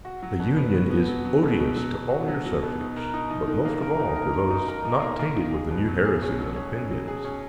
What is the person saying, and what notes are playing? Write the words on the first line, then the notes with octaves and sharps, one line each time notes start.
The union is odious to all your subjects, but most of all to those not tainted with the new heresies and opinions.
F#4
F#3
B2
B3
B3
B3
F#3
F#3
B2
B2
F#3
B2
F#4
F#3
F#3
B2
D#4
A#4
D#4
D#4
D#3
A#3
A#4
D#3
A#4
A#4
D#4
A#4
D#4
A#3
A#3
D#3
G#4
B2
F#3
G#4
C#4
F#3
C#4
C#4
F#3
G#4
C#4